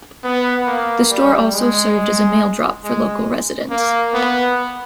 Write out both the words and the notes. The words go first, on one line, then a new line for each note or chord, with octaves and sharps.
The store also served as a mail drop for local residents.
B3
A#3
G3
G#3
G#3
A#3
B3